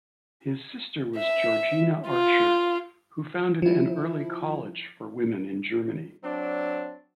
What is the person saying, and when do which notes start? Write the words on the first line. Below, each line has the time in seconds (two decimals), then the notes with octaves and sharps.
His sister was Georgina Archer who founded an early college for women in Germany.
1.17 E5
2.08 F4
3.62 F3 E4
6.23 F#3 C4 D4